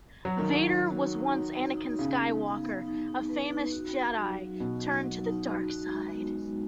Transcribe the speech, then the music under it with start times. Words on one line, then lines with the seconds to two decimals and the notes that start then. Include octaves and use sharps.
Vader was once Anakin Skywalker, a famous Jedi turned to the Dark Side.
0.25 F#3 F#4
0.39 D#3
0.46 D#4
0.53 F#3
0.68 C#5
0.91 F#4
1.13 D#4
1.34 D#4
1.56 D#4
1.77 D#4
1.98 C#3 B3
2.21 B3
2.42 D#4
2.64 B3
2.87 D#4
3.08 D#4
3.29 B4
3.52 D#4
3.73 F#4
3.95 F#4
4.17 F#3
4.38 F#3
4.60 B2 F#4
4.82 D#4
5.04 F#3
5.25 D#4
5.47 F#4
5.69 F#4
5.91 G#3
6.12 B3
6.34 G#3